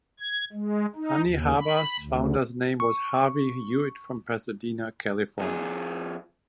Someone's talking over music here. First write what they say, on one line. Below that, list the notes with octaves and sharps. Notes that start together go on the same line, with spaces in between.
Honey Harbour's founder's name was Harvey Hewitt from Pasadena, California.
G#6
G#3
D#4
D#2
B5
D2
C#6
F2 G#4